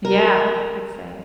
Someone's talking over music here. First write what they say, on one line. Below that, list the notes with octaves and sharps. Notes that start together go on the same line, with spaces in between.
Yeah, I'd say.
A#4